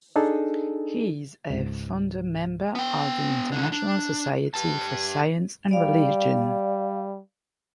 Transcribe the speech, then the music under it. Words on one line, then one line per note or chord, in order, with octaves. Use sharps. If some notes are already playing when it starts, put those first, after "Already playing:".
He is a founder member of the International Society for Science and Religion.
D4 D#4 G#4 A4
C#2 G#2
B3 G5
C2 D3
D4
G4 A5
G3 D5 F5